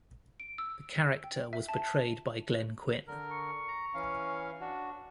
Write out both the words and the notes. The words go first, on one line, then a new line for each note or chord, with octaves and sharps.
The character was portrayed by Glenn Quinn.
D7
E6
G5
E5
A5
D3 A#4
C#6
A#5
E3 C#4 F5
D4 F#4